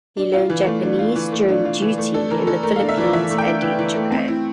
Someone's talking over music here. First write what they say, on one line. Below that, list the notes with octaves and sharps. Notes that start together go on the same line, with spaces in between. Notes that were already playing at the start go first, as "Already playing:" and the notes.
He learned Japanese during duty in the Philippines and in Japan.
D4
F4
E3
A3
D4
F4
E3
A3
D4
F4
E3
A3
D4 A4
E3 A#4
E3 A4
A3 A#4
D4 F5
E5
E3 D5
E3 E5
A3
G5
D4
E3
E3
A3
C4
E4